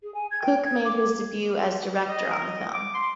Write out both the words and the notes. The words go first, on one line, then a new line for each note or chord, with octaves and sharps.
Cook made his debut as director on the film.
G#4
G#5
G#6
G5
G#6
D6
D#5
A#4
D#5
D6
C6